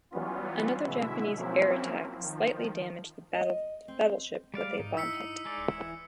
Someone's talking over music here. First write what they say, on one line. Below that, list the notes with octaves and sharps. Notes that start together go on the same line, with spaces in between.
Another Japanese air attack slightly damaged the battleship with a bomb hit.
E3 F#3 G3 B3 C#4 F4
B2 D3 G#3 E4 E5
F3 F#3 A#3 C4 C#4 E4
D#3 F3
D#5
C4
G3 G#3 D5 F5
G#2 D#4
E4 E6 B6 C#7
G#3 D#4 D5
D1
E3 E4